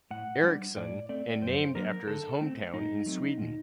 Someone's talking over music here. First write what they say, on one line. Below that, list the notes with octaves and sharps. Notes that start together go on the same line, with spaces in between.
Erickson, and named after his hometown in Sweden.
A2 F#5
G3 D4
A2 D5
A3 C4 D5
F#2 C5
F#3 A#3 D4 A#4
D3 A4
A3 C4
A2 D#4
F#3 A3 C4
A#2